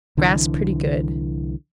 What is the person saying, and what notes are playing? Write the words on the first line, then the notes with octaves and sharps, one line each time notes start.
Grass pretty good.
C2 D3 E3